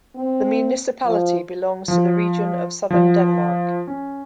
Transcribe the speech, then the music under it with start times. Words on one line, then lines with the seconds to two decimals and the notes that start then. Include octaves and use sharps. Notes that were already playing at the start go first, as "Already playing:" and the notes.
The municipality belongs to the Region of Southern Denmark.
0.16 C4
1.05 F3
1.88 F3
2.91 F3
3.87 C#4